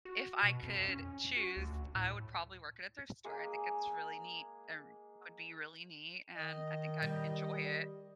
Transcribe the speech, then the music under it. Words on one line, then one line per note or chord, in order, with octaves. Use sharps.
if I could choose, I would probably work at a thrift store. I think it's really neat and would be really neat, and I think I'd enjoy it.
F#4
B2
F2
C#4
F#4
D2
A2
G#3 A#3 G#4 D6
D#3 D#5
G3